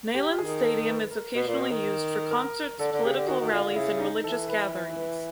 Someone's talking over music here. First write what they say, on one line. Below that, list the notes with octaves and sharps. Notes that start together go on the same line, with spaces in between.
Neyland Stadium is occasionally used for concerts, political rallies, and religious gatherings.
G4
D#3 G#4
A4
B4
A#4
B2 B4
A#2
B2
D#3
A#4
D3 A4
D3
C#3 G4
D3
D#3 F#4
D#3
D3 F4
D3
C#3 E4
D#4
E3 A4
B4
B4
B4